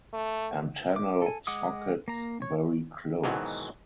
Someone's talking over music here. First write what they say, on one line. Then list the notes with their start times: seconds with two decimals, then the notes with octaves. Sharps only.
Antennal sockets very close.
0.13 A3
0.96 D6
1.22 A4 G#5
1.47 G#3 F#5 D6 D#6
2.08 A#3 A#5
2.42 C#5
3.24 G#2 B2 D#3 E3 F#3